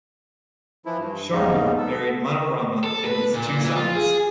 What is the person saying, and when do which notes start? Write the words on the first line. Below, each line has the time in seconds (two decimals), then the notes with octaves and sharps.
Sharma married Manorama and has two sons.
0.85 E3 F3 E4
0.98 G2
1.32 E2 G#2 C#3 G3 D#4
1.78 B3 A4
2.84 A4
3.05 B4
3.34 A#2
3.61 E3
3.76 F4
3.95 G#4